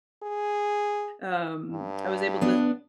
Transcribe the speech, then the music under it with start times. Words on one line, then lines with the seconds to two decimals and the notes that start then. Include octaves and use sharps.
um, I was able to
0.23 G#4
1.72 G2
2.41 B3 D4